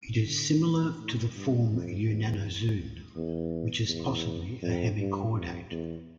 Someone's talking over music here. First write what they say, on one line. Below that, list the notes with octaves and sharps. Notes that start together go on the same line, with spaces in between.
It is similar to the form "Yunnanozoon", which is possibly a hemichordate.
D3
A#2
A2
G2
F2
E2
E2
E2
F2
G2
F2
E2